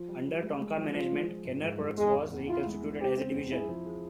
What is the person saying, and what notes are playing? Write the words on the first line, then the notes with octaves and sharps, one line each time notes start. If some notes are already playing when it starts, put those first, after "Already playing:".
Under Tonka management, Kenner Products was reconstituted as a division.
Already playing: F3 F4
G3
G3
G#3
G#3
F3
F3 F4
G#3
F3
G#2
G#2
G#2
E2 G#3
E2
E2
E4 F4
G#3
G#3
C4 G4
C4
E2
E4 G#4
F3
G#4